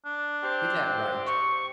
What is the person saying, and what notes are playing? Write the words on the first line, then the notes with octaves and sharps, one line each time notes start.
Get that right.
D4
C4 G4
C#6